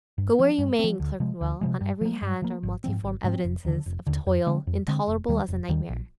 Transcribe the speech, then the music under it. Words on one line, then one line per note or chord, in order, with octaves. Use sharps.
Go where you may in Clerkenwell, on every hand are multiform evidences of toil, intolerable as a nightmare.
G2
F3 C4
G2
F3 C4
D2
C3 F3 G#3
D2
C3 F3 G#3
G2
F3 A#3
G2
F3 A#3
G#1
G#2 F3 C4
G#1
G#2 F3 C4
F1
D#2 D3
F1
D#2 D3
F2
D3 G#3 C4
F2
D3 G#3 C4
F1
D#2 D#3 G3
F1
D#2 D#3 G3
A#1